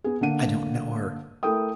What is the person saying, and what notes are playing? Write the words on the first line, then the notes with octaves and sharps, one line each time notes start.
I don't know her!'
B3 G#4
D3 A#3 F#5 D#7
A3 E4 A4 A#4 G5 D#6